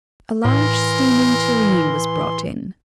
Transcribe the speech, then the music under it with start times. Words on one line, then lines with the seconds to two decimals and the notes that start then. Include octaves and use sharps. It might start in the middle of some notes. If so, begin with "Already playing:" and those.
A large steaming tureen was brought in.
0.45 A2 E3 A#4 C6